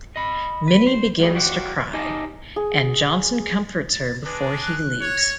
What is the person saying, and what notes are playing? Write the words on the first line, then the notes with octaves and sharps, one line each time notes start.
Minnie begins to cry, and Johnson comforts her before he leaves.
D#5 B5
B4
C5
F#3 G3 A3 G#4
F#4 G4 C5 D5 F5 F#5
D#4 G4 D#5 G#5 A5
G#4
A6
G#3 D4 B4
F#6
C#5